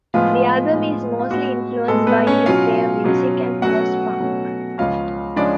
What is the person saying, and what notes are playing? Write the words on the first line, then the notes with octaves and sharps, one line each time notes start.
The album is mostly influenced by new wave music and post-punk.
A2 F3 G#3 B3 F4
A2 F3 G#3 B3
F4
A2 G#3 B3 F#4
A2 G#3 A3 B3 A4
B3 B4
C#4 C#5
B2 F#3 C#4 F4 F5
B2 F#3 C#4
B2 F#3 A3 C#4 F#4 F#5
B2 F#3 A3 C#4
C#2 C#3 F3 G#3 C#4 F4 F5
C#3 F3 G#3 C#4 D4 D5